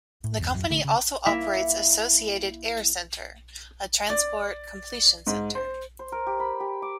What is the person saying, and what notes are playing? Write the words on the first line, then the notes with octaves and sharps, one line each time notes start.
The company also operates Associated Air Center, a transport completion center.
A2
G1 E2
D1 F#2
A#1 D3 A3
C#3
A#3 E4 E5
D5
G#2
C5
C5
A#4
G4
B5
G4
D6